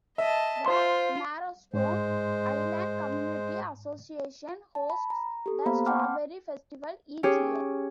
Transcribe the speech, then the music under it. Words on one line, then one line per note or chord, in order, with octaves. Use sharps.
The Marrowstone Island Community Association hosts the Strawberry Festival each year.
D#5 E5 A5
F4 C5 C6
G#2 G#3 C5
A5
B5
A#5
G4 A4
A#3 B3 C5 F5 A#5 B5
F#5 G5 A5 C6 D6 F6
C#4 G4 G#4 C#5